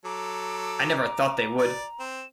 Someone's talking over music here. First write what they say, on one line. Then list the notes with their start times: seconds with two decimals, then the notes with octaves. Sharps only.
I never thought they would.
0.05 F#3 A4 A#5 D6
1.59 D5
2.00 C4 E7